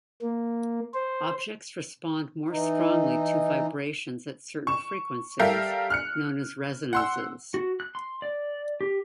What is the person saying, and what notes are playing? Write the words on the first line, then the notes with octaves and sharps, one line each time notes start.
Objects respond more strongly to vibrations at certain frequencies, known as resonances.
A#3
C5
E3 D#4
C#6 E7
G3 G4 A4 A#4 E5 F5
F6 F#6 C#7
F#5 C6 E6
F#4
F#6
C6
D5
G4